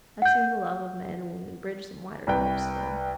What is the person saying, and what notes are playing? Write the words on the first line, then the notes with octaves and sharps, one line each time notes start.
I've seen the love of man and woman bridge some wider gulfs though.
F#5 G6
C2 B4 G5